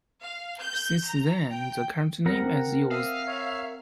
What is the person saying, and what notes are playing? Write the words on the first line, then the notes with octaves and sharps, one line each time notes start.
Since then, the current name is used.
F5
G6
A#5
G5
C4 A#4 F#5 A#5
E5 F5 D#6
C#5 E5